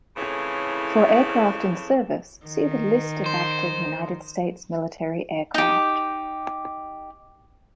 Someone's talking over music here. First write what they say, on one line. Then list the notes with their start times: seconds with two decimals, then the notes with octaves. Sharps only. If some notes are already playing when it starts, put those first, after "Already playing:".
For aircraft in service, see the List of active United States military aircraft.
0.16 F2 A2 C#3 E3
2.47 D#3
3.26 C5
5.54 D#4 G4